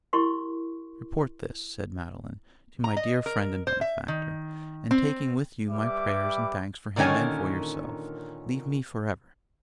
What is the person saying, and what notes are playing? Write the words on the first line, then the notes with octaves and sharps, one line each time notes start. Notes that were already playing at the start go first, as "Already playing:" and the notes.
Report this,' said Madeline, 'to my dear friend and benefactor, and, taking with you my prayers and thanks for him and for yourself, leave me for ever!'
E4 G4 A#4 C6 C#6
A#5
D#5
A#4
C5
E5
D#3
C4
G3 G4 B4 E5 D6
A#2 D3 D#3 C#4 C#5 G#5